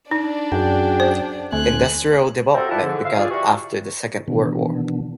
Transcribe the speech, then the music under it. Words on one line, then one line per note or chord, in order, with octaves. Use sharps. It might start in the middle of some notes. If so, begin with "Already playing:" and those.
Industrial development began after the Second World War.
D4 D#4 D5
F#2 F#4 G#4 G5
C5
D2 A3 C4 G#5 F#6
C3 C4 F#4 A4 A#4
E4 F4 D5 E5 F#5 A5
G#2 D3
E5 F5
F4 G#4 D5
E3 G3 E4 F#4
B2 D#3 E3 B3 D4